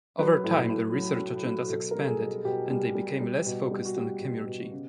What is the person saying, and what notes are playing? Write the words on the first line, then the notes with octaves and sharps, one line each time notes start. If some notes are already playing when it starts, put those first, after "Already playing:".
Over time, their research agendas expanded, and they became less focused on chemurgy.
F#3 B4
A2
A2
F#3
F#3
F#3
B2 A4
A#4
G3 A4
G#4
B2
B2 G4
G3
G3
G3
B2
G3
F#4
G3 G4
B2
B2
C#3